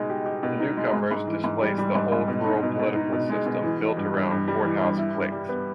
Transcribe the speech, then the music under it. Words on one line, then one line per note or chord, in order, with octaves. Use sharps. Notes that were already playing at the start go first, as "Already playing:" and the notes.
The newcomers displaced the old rural political system built around courthouse cliques.
Already playing: B2 G#3 D#4
G4
G4
B2
D#4
G#3
G#2
G#2
E3
G#2
G3
G3
G#2
G#2
B2
D#4
B2
B2
D#4
B2
G#3
B2
E3
E3
G2
G2
G2
G3
E3
G2
E4
G2
G3
B3